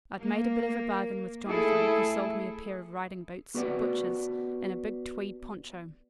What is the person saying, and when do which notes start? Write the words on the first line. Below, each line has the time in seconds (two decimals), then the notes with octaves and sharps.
I'd made a bit of a bargain with Jonathan, who sold me a pair of riding boots, butcher's, and a big tweed poncho.
0.18 A#3
1.49 A3 E4 G#4 A4
3.54 B3 F#4 G4 B4 D5 F#5